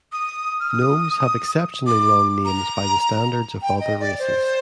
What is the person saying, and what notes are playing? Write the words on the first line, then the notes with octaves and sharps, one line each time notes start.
Gnomes have exceptionally long names by the standards of other races.
D#6
F6
D#6
D6
A#5
G5
D#5
D5
C5